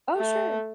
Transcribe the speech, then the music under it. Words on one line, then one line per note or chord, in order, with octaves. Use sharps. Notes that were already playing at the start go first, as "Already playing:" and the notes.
Oh, sure.
A3